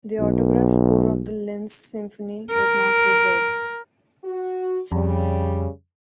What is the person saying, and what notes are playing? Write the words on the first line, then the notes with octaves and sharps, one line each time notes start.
The autograph score of the "Linz Symphony" was not preserved.
B1
A#4
F#4
F2 C#3 G3